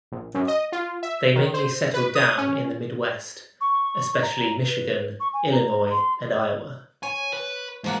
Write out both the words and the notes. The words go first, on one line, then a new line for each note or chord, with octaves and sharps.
They mainly settled down in the Midwest, especially Michigan, Illinois and Iowa.
A#1
F#2
D#5
F4
E5
D#3
C5
B4
D#6
C#4
C#6
A#5
B4
C#6
G#5
A#5
C6
C#5 G#5
B4
F3 G#3 A#3 F#5